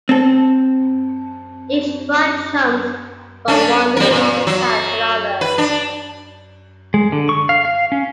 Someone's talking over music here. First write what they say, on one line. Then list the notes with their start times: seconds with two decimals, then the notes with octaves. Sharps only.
Each frog jumps from one lily pad to the other.
0.09 C4 A4
3.48 C#4 D4
3.97 G3 A#4
4.11 A#2
4.47 F#3
5.41 B4
5.58 D4
6.94 G#3
7.12 D3
7.29 C#6
7.49 F5
7.65 F5
7.92 C#4